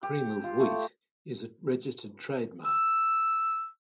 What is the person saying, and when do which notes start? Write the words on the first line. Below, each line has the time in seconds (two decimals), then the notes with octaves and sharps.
"Cream of Wheat" is a registered trademark.
0.03 G4
0.44 F4
0.60 A3
2.65 E6